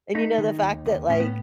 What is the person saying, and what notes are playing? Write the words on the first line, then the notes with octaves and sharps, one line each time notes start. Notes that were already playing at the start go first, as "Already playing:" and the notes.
And you know the fact that, like,
A3 D#4
D#3
D#2
D#2
A2 C#4
B3